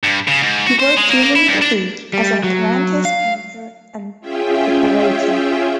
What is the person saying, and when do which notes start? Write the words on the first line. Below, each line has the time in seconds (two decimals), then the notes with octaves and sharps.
He worked during the week as an apprentice painter and decorator.
0.04 G2
0.27 C#3
0.42 G#2
0.67 F#4
0.79 C5
0.97 G#3
1.09 A#3
1.23 A#3
1.36 E4
1.49 G2
1.62 D4
2.13 G3
2.44 F#3
3.05 F5
4.21 C#4 F4 G#4 E5 G5